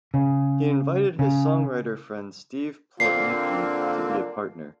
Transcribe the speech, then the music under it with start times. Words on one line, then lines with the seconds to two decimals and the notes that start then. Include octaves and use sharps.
He invited his songwriter friend Steve Plotnicki to be a partner.
0.14 C#3
1.19 C#3
3.00 D3 A#3 C4 D4 F4 C7